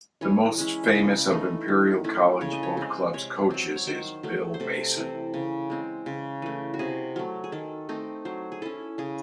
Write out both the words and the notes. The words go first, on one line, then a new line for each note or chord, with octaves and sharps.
The most famous of Imperial College Boat Club's coaches is Bill Mason.
E3 C#5
G#3 C#4 E4
E5
C#3 D#5
E3 A3 D#4
D#3
A3 C#4 E4
C#3 C#5
D#5
C#5
G#3 C4
C3 C#5
F#3 C4
C#5
D#3 C5
F#3 A3
C5
C3 A4
E3 C4
C#3
G#3 C4
C#3
E3 A3
F#4
C3 G#4
F#3 A3
G#4
D#3 A4
A3 C4 D#4
F#3 C5
G#4
C#4 E4 A4
C#3 G#4